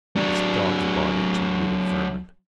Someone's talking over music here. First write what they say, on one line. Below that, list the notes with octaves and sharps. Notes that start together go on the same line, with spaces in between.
This dogsbody to rid of vermin.
F#3 D4